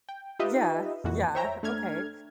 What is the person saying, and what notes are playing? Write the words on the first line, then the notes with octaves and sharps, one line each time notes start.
Yeah, yeah, okay.
G5
D#4 F4 G4 B4 D#5 E5
F2 A#2 E3 F#4
C5 C#5 E5 G5 A#5
A3 D4 F6 G#6